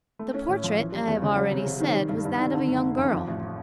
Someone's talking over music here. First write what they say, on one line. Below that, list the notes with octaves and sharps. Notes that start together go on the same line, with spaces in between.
The portrait, I have already said, was that of a young girl.
A3
C#4
A2
F3
E3
G3
E2
C#3
F#3
C3
C3
D#3
G3
G2
G2
D#3
D3
F#1
F#1
F2
F3
A1